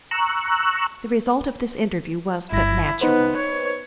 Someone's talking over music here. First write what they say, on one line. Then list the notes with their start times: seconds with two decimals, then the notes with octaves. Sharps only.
The result of this interview was but natural.
0.11 A#5 C#6 E6 F#6
2.52 G1 G2 E4 A#6
3.01 B3 D#4 B4 C5
3.36 C#5